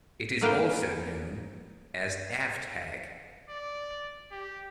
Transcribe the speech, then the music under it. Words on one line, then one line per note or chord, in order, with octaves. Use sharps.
It is also known as avtag.
A3 A#3 B4 F5 G5
D5
G4